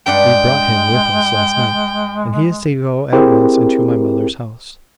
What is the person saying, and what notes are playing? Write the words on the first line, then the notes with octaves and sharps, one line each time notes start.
We brought him with us last night; and he is to go at once into my mother's house.
G2 G#3 D4 F#5 G5
C4 E4 G4 G#4 A#4